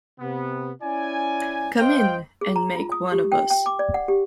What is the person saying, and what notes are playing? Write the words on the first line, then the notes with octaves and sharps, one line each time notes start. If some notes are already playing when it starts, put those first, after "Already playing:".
Come in, and make one of us.
C3 B3
C#4 E4 D5 G#5
C5 D#5 F5 G5
G#4
A#5
F4
D#6
G4
G5
G5
D6
D5
F#5
G4